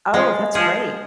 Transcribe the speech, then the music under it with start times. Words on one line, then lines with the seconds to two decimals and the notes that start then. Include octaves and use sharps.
Oh, that's great.
0.14 F3 G#3
0.55 F3 G#4